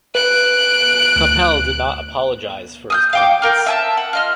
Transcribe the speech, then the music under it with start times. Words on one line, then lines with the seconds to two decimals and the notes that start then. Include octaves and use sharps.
Coppell did not apologise for his comments.
0.15 B4 F#6 D7
1.16 D2
2.90 D#6 F6 G6
3.13 F5 G5 D6
3.42 F4 A#4 G5
3.66 E5 G#5 A5
3.97 F#5
4.13 F4 D#5 F6